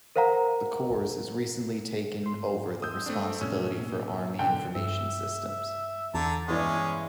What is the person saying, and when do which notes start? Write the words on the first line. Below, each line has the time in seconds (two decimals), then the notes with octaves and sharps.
The Corps has recently taken over the responsibility for Army Information Systems.
0.16 A#4 C5 F5 F#5 A#5
2.23 G#2 C6
2.82 D#6 E6 G6
3.06 A3 C4 D4
3.41 F1 A2 C#4 E6
3.76 B2 A#3 D4
4.39 G#2 B2 D3 G5
4.76 G2 E5
6.14 E2 D3 A5 A#5
6.48 G1 E3 G#3 C#4 D5